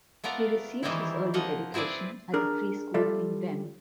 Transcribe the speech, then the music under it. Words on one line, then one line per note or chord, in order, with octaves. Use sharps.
He received his early education at the free school in Wem.
A3 B3 F4 A#4 D5
D#3 E3 G3 G#3 C4 E4
F3 A#3 D#5 F#5
C4 E4 G#4 B4 D5
D4 G#4 A#4
G3 F4 A4 D5 E5